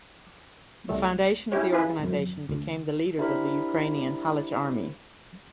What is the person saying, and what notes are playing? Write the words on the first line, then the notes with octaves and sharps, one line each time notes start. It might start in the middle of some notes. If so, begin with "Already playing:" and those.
The foundation of the organization became the leaders of the Ukrainian Halych Army.
C2 G3 A3
C#4 E4 G4 C#5
E4 F4 G#4 B4
G#1 F#2
D2
D4 E4 G4 A#4 C5 B5